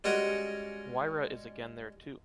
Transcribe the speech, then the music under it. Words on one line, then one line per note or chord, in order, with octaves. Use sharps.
Moira is again there too.
G3 G#3 C#4 F#4 A#4 D#5